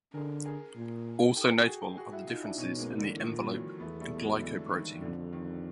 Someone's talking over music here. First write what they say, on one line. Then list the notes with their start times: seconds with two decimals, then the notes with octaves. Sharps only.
Also notable are the differences in the envelope glycoprotein.
0.14 D3 G#4 A#4
0.45 G#4 A#4
0.76 A#2
1.36 G4 A4
1.67 F#4 G#4
1.97 F#4 G#4
2.12 E4 F#4
2.27 D#4 F4
2.42 D4 E4
2.58 B2 C#4 D#4
2.78 G#3 A#3
2.98 D3 E3
3.19 A#2 D#3 F3
3.49 E3 F#3
3.79 E2 A3 B3
4.00 G3 A3
4.20 F#3 G#3
4.41 D3 E3
4.72 D#3
5.01 F2 D3
5.32 D#3